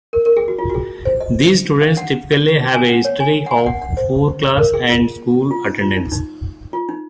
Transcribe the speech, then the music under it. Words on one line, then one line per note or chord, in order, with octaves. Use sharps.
These students typically have a history of poor class and school attendance.
A#4
A#4
G#4
F#4
F4
F#4
G#4
C5
D#5
F5
F#5
G#5
F#5
C#5
G#5
F#5
G#5
F#5
F#5
C5
A#4
G#4
F4
F4
D#4
F4
D#4
D#4
F4
D#4